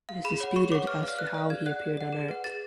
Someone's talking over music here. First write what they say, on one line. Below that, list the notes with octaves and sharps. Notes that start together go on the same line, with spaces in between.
It is disputed as to how he appeared on Earth.
F5
G#4 B5
C#5 F#5
G#4 C#6
C#5 F#5 D6
B4 F6
D5 F5 F6
B4 F#6
D5 F5
G#4 G#6
D5 F#5 F#6
G#4
D5 F#5
G#4
B4 F#5
G#4 A6